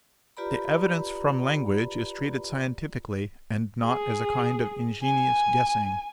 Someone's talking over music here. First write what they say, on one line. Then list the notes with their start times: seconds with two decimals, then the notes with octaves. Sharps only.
The evidence from language is treated scientifically, and not as a kind of ingenious guessing.
0.37 F4 G4 B4 D5 A#5 B5
3.86 G#4
5.03 G#5